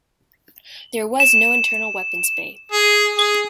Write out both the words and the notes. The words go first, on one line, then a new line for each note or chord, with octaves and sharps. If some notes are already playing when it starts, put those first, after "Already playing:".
There was no internal weapons bay.
E7
G#4
G#4